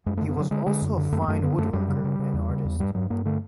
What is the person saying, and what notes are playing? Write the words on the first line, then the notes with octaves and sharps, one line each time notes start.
He was also a fine woodworker and artist.
F#2 G#3
D3 A3
B3
D3 F#3
D3 G#3
D3 G#3
F#2
D3
F#2 A3
A#3
F#2 A3
D3 B3
F#2 A3
F#2 G3
C#3
C#3
C#3
E2
C#3
E2
G2 G3
G2 F#3
G2 A#3
D3 A3